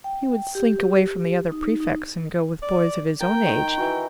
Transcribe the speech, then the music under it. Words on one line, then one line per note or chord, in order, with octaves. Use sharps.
He would slink away from the other prefects and go with boys of his own age.
G5
G4
G4
D#4
D#4
D5
A#4 G5
D#3
E3 F#4